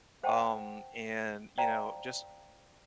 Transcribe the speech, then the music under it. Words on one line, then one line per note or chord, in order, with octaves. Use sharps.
um, and, you know, just
C5 F#5 G5 A5
C5 D5 F5 G5 A5 A#5